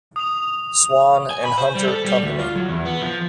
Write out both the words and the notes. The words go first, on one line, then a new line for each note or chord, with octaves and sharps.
Swan and Hunter Company.
D#6 F7
G#5
B5
C5
G3
A4
G3
D2
F4
F#3
E2
B3
F3